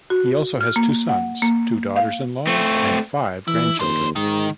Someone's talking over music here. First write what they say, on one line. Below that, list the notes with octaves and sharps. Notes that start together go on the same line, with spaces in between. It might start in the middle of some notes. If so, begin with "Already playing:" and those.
He also has two sons, two daughters-in-law, and five grandchildren.
F#4
F6
A#3
F#5
A#3
F5
A3 C4
E3 E4
D#2 D4 C5
G#2 D#3